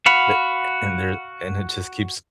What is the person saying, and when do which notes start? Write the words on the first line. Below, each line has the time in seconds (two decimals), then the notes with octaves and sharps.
Th a and there and it just keeps
0.06 F#4 F5 F#5 B5